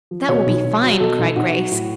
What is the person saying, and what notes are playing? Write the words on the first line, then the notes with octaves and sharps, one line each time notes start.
"That will be fine," cried Grace.
F3
B2 C#5
B1
B1
F#3
B2 A4
B1
B1 F#4
F#3
A2